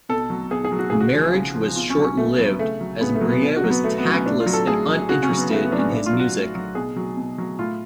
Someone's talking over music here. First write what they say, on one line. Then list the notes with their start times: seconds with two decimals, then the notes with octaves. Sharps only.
The marriage was short-lived, as Maria was tactless and uninterested in his music.
0.09 B2 A4
0.30 F#3
0.51 B2 G#4
0.64 G#4
0.72 F#3
0.79 F#4
0.90 C#3 G#4
1.00 F#4
1.13 F3
1.34 C#3
1.55 F3
1.76 B2 F4
1.90 C#4
1.96 F#3
2.04 C#4
2.17 B2 A3
2.38 F#3 B3
2.59 C#3 A3
2.81 F#3
3.01 C#3 B3
3.15 A3
3.21 F#3
3.29 B3
3.43 B2
3.56 F#4
3.64 F#3
3.70 B3
3.84 B2 A3
3.98 B3
4.05 F#3
4.12 C#4
4.26 A2 D4
4.40 F4
4.46 F#3
4.53 A4
4.67 A2 G#4
4.88 F#3
5.09 C#3 F#4
5.23 C#4
5.30 F#3
5.37 B3
5.51 C#3 A3
5.65 B3
5.72 F#3 D4
5.78 C#4
5.92 A2 D4
6.06 F4
6.13 F#3
6.20 F#4
6.34 A2
6.55 F#3
6.75 B2 G#4
6.96 F#3
7.17 B2
7.38 F#3
7.59 A2 F4